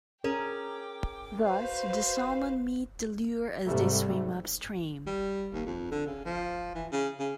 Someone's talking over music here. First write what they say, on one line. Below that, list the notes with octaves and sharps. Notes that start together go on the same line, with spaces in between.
Thus, the salmon meet the lure as they swim upstream.
C#4 G#4 A#4 G5 D6
F#4 B4 C5 F5
G#2 C3 G3 A3
G3
D#2
F2
D3
C#3
F3
E3
C#3
C#3